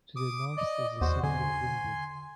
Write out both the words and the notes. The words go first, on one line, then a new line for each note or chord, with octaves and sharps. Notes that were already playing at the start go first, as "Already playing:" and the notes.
To the north is the city of Lynwood.
D6 D#6
D5 D#5
E2 F#4 C5
D3 G#5 C6